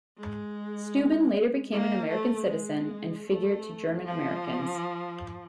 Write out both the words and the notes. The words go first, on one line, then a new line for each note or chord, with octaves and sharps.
Steuben later became an American citizen and figure to German Americans.
G#3
A#3
A3
G#3
A3
F3